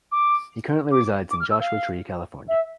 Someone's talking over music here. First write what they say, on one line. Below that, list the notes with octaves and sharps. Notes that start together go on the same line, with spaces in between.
He currently resides in Joshua Tree, California.
D6
D6
D6
F6
E6
F5
E5